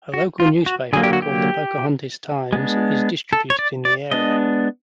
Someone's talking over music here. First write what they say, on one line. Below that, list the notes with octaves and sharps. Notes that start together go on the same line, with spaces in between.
A local newspaper called "The Pocahontas Times" is distributed in the area.
F#4
F4
F#4
D3 F#3 A#3 G#4
G4
F#4
G4
G#3 B3 D4
A4
C#5
D5
D5
G#3 B3 D4 D#5